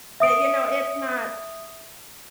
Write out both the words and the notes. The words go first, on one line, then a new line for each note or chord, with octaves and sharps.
but, you know, it's not
E5 D#6 D7